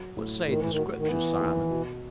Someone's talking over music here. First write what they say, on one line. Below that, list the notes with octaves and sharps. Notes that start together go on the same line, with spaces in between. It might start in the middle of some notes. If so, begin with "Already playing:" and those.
What saith the Scriptur', Simon?
Already playing: F#3
A2
A2 D#3
E3
D#3
F#4
D#3
E3 B3
D#2
B2